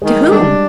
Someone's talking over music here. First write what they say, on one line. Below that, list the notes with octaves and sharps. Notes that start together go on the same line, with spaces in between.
"To whom?"
D#3 G#3
G3 D4